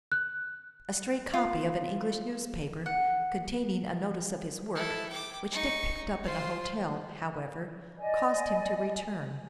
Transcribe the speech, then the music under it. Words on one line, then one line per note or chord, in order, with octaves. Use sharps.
A stray copy of an English newspaper containing a notice of his work, which Dick picked up in a hotel, however, caused him to return.
F#6
F4
F#5
E4 A4
G5 D6
D#4 C#6
F4 C5
D5 D#5 G#5